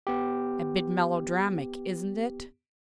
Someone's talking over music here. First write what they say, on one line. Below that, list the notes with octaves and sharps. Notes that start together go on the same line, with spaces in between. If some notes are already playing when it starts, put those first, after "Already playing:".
A bit melodramatic, isn't it?
B3 G4